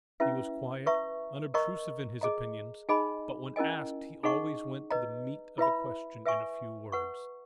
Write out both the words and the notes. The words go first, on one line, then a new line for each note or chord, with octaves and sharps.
He was quiet, unobtrusive in his opinions, but when asked he always went to the meat of a question in a few words.
C#4 E4 B4 E5
B4 E5 A#5 C#6
A#4 D#5 A#5 C#6
G#4 D#5 A#5
D#4 G#4 D#5 G#5 B5
C#4 E4 A#4 D#5 G#5
D#4 G#4 D#5 F#5 C#6
B4 D#5 A#5
E4 B4 E5 B5
B4 E5 G#5 C#6
B4 F#5 C#6